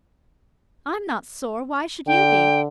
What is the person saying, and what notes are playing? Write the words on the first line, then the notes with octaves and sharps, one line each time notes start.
I'm not sore, why should you be?
D3 G5